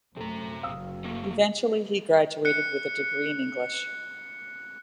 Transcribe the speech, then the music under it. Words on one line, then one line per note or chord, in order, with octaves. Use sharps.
Eventually he graduated with a degree in English.
A#1 F#2 C3 A3 A4 A#5
F#1 F5 D#6 E6
A3 A#3
F#6 C#7